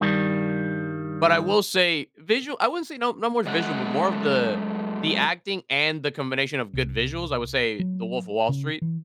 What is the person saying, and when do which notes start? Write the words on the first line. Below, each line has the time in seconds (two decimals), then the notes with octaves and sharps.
But I will say visual I wouldn't say no no more visual, but more of the the acting and the combination of good visuals, I would say, "The Wolf of Wall Street,"
0.01 G2 D#3 G3
3.46 F#2 G#3 A3 F#5
6.73 C2
7.79 F#3
8.49 C#3
8.82 E3